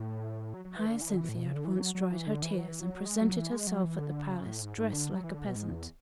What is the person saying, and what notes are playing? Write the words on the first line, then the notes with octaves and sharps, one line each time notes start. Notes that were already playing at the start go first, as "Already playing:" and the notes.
Hyacinthia at once dried her tears, and presented herself at the palace, dressed like a peasant.
Already playing: A2
F#3
F#3
E3
D3
E3
D3
E3
A2
B2
C#3
D3
E3
F#3
F#3
E3
D3
E3
F#3
E3
F#3
G#3
F#3
E3
G#3
F#3
E3
D3
C#3
A2
G#2
G#2
D3
F#3
E3
D3
B2
G#2
E2